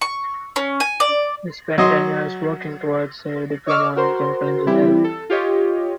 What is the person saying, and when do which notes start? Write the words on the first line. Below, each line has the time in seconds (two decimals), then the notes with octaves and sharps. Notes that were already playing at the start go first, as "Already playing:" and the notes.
He spent ten years working towards a diploma in chemical engineering.
0.02 C#6
0.56 C#4
0.80 G#5
1.00 D5
1.78 F#3 D#5 C6
3.66 C#5 D#5 C#6 D6 E6 F6
3.96 F#4 A#4 C5 C6
4.66 E3 G3 C4 E4 G4
5.04 A4
5.30 F4 G4 C#5 D#5